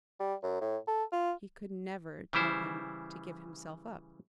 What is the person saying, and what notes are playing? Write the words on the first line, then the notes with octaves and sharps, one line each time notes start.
He could never tell him to give himself up!
G3
F#2
A2
A4
F4
C#3 E3 G3 E4 C5